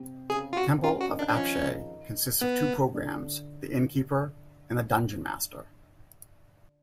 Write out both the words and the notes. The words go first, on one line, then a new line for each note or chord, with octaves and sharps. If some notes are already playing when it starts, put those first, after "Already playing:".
"Temple of Apshai" consists of two programs; the Innkeeper and the Dunjonmaster.
Already playing: C3 C4
C#3 C#4 G#4
F4
F#4
C4
C#3 C#4 F4
F#4
D#3 D#4
D4
D4
F3 C#4 F4
D#3 D#4
B3
D3 D4